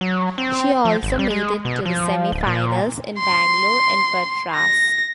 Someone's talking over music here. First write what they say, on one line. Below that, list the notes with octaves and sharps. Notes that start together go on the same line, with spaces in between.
She also made it to the semifinals in Bangalore and Patras.
F#3
C4
F3
G#1
G3
G#3
B2
F3
D1
A#2
C6
A#6